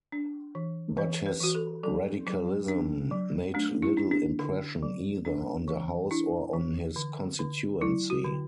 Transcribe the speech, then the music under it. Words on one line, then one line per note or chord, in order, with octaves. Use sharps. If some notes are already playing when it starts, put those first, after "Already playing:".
But his Radicalism made little impression either on the house or on his constituency.
D4
E3
E3 B4
B4
E3 F#4
A4
F#3 A4
F#3
D4
F#3
A3 D4
E4
D4
D4
D3
F#3
D4
E3
D4 E4
E3
D3
D3
F#3 E4
F#4
D3